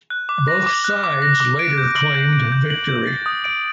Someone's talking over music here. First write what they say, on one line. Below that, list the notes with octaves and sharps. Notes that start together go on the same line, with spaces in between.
Both sides later claimed victory.
F#6
D6
A#6
D6
F#6
D6
A#6
D6
D7
G6
F#7
G6
D7
G6
F#7
G6
A6
D#6
D7